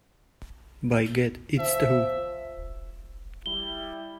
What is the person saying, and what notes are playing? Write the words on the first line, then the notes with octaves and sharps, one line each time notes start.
By Gad, it's true!
F3 E5
G3 E4 G7